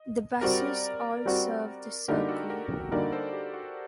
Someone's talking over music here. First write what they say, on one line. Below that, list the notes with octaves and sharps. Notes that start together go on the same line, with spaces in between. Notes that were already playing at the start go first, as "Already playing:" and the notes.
The buses all serve the circle.
Already playing: D#5
G3 C4 F#4 A#4 D5
G3 C4 F#4
D3 G3 A#3 D#4 G4 A#4
F#4 A4
G4 A#4
D3 G3 A#3 D#4 A#4 D5
A4 C5
G4
F#4